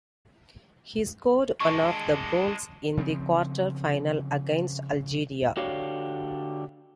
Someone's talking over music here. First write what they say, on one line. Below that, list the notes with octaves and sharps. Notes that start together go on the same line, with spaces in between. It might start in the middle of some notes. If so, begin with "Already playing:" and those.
He scored one of the goals in the quarter final against Algeria.
G#3 D4 C#6
C#3 F3 C4
D3 D4 F#4 G4 C#5 F5